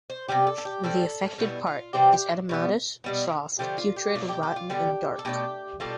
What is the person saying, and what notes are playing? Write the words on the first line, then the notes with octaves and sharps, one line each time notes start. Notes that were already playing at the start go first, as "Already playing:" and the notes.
The affected part is edematous, soft, putrid, rotten, and dark.
C5
C3 E3 G3 B3 G4
A4
A4
G4
A2 G3 C4 A4
B2 G3 B3 E4 G4
F4
C3 E3 G3 C4 G4
G4
B2 G3 B3
B2 G3 B3
D3 F3 A3 G4
F4
G4
B2 A3 D4 F4
G4
G4
F4
D3 G3 B3 G4
A4
B2 A3 D4 G4
B2 G3 D4 F4 A4